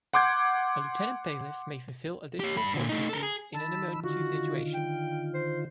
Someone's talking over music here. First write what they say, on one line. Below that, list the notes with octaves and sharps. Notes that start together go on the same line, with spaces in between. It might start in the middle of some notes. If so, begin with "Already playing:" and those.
A Lieutenant Bailiff may fulfil additional court duties in an emergency situation.
F#5 C6 D6 G6 G#6
G4 C#5
G2 B5
A#2 D3
A3 D#4
A4 A#4
G#4
D#3 A5 B5 E6
D3 D#3 F4 F#4
G5
C5